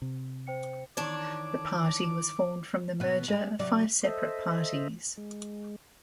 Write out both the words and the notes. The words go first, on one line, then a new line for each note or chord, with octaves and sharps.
The party was formed from the merger of five separate parties.
C3
C5 G5 C#7
D#3 E3 D4 C#5 D6
B2 B3
G3 G#3
C3 F#3 D5
A4 C5 D#5 E5
G#3